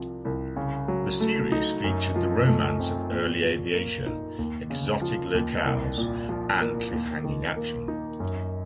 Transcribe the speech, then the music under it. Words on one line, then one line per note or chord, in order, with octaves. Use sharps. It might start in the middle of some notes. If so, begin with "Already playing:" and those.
The series featured the romance of early aviation, exotic locales, and cliff-hanging action.
Already playing: C2 C3 F3
C2
C#3
F#3
A3
D#4
F#2
F3
A3
C4
A#2
F3
A#3
D#4
D#2
C#3
F3
D#2
C2
A#2
F3
A#3
D#2
D#3
A#3
D#4
F#2